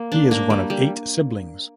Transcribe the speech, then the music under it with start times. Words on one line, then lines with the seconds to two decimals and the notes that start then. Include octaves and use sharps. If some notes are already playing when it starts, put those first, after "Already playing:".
He is one of eight siblings.
Already playing: A#3
0.12 D4
0.31 A#3
0.50 G3
0.70 G3